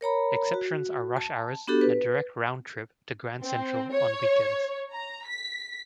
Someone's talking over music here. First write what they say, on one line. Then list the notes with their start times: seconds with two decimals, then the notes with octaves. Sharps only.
Exceptions are rush hours and a direct round-trip to Grand Central on weekends.
0.01 A#4 C#5 A#5 B5
0.54 F#4
1.17 A5
1.67 B3 D4 F#4 G4 A4
1.81 B4
3.41 C4
3.91 C#5
4.90 A#5
5.26 B6